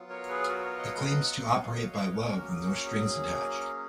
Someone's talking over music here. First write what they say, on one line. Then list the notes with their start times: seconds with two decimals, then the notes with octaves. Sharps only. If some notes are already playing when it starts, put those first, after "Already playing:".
It claims to operate "by love with no strings attached".
Already playing: F#3 B3 F4
0.09 A#4 C#5
0.28 G#4 B4
0.49 F#4 A#4
0.63 A#4 C#5
0.78 D#5 F#5
0.93 B4 D#5
1.08 B4 D#5
1.22 D#5 F#5
1.37 D#5 F#5
1.52 F5 G#5
1.67 D#5 F#5
1.82 C#5 F5
1.96 B4 D#5
2.11 A#4 C#5
2.26 F#3 A#3 C#4 F#4 A#4
2.47 G#4
2.66 F#4
2.85 G#4